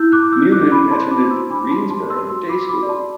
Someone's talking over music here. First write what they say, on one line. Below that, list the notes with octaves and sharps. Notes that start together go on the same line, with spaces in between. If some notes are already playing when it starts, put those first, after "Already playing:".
Newman attended Greensboro Day School.
Already playing: E4 E6 G6
D6 F#6
E4
E6 G6
E4
D6 F#6
D4 B5 D6
A5 C6
C5
B5 D6
C5
C6 E6
D4 B5 D6
A5 C6
G4
A5 C6
G4
C6 E6
F#4 C6 E6
B5 D6
F#4
B5 D6
D5
A5 C6